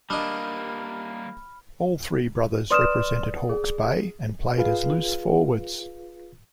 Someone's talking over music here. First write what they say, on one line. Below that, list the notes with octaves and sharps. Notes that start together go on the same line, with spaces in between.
All three brothers represented Hawke's Bay and played as loose forwards.
G3 A#3 D4 D#5 B5 F6
B4 D5 C6 D#6 F6 E7
G#4
F4 G#4 B4 F5